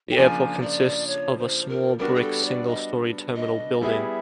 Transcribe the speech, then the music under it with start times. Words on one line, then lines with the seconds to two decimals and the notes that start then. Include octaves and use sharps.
The airport consists of a small brick single storey terminal building.
0.11 G5
0.16 C#3 F3 A#3 D4 F4 G#5
0.61 D5
1.07 C#5
1.38 C5
1.68 A#4
1.99 G3 B3 D4 F#4 A#4
2.15 G#4
2.22 A4
2.45 D5
2.67 D#5
3.36 D#5
3.81 G3 B3 E4 G#4 E5